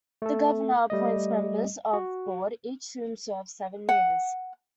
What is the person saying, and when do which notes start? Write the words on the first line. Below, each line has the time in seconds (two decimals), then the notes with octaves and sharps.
The governor appoints members of the Board, each of whom serve seven years.
0.22 A3 A4
0.90 G3 A3 D#5
1.93 F#4
3.89 F#5